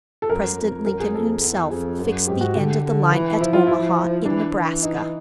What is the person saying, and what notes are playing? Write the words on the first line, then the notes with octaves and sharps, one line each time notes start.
President Lincoln himself fixed the end of the line at Omaha, in Nebraska.
A4
F#2 A#4
F2
F#2 A#4
G#4
F2 A4
E2
F2 G#4
F#2
G#2 G4
F#4
D3 G4
D3
E3
F3 E4
F4
E4
E3 D4
E3
D#4